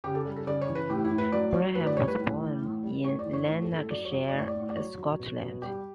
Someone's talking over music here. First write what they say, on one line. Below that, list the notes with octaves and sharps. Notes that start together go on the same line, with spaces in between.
Graham was born in Lanarkshire, Scotland.
C#3 G4
A4
G3
A4
C#3 D5
C#5
E3
B4
A2 G4
E4
A2
B4
F#3 D5
F#3 C#5
A2 B4
D5
G3 C#5
B4
A2
E3
A2
G3
A2 C#5
D5
E3
C#5
A2 C#5
A4
A2
A4
F#3 D5
C#5
F#3
A2 D5
C#5
D5
A2
D5
F#3 C#5
F#3
B2
B2
G3 G4